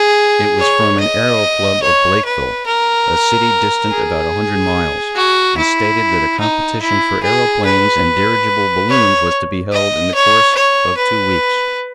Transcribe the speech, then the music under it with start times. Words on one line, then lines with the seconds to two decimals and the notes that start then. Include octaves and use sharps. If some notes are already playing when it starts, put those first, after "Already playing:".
It was from an aero club of Blakeville, a city distant about a hundred miles, and stated that a competition for aeroplanes and dirigible balloons was to be held in the course of two weeks.
Already playing: G#4
0.58 C#5
1.00 D#5
1.83 C#5
2.25 B4
2.66 A#4
3.91 G#4
5.16 F#4
5.57 E4
6.40 D#4
6.82 E4
7.23 G#4
7.65 B4
8.89 C#5
9.73 D#5
10.14 C#5
10.55 C#5
10.97 B4